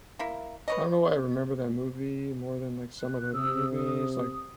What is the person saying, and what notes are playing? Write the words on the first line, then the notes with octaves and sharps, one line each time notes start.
I don't know why I remember that movie more than like some of the other movies, like
A#3 E4
B4 C#5 D#5
F#6
C3 D#6 E6
D#6